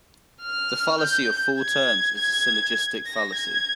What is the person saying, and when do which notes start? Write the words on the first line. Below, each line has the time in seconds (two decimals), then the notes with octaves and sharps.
The fallacy of four terms is a syllogistic fallacy.
0.42 F6
1.01 G6
1.60 G#6
2.18 G#6
3.07 A#6
3.36 G#6